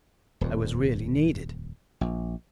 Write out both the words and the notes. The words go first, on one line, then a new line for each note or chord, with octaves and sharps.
I was really needed.
D#1 F2
A#1